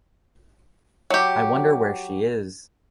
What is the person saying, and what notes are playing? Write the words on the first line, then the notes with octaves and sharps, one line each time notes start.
I wonder where she is!
F#3 G4